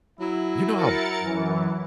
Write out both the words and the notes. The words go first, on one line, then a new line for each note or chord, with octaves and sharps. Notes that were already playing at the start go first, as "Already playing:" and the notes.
You know how
F#3 E4
A#4 A6 C#7
F#2 E3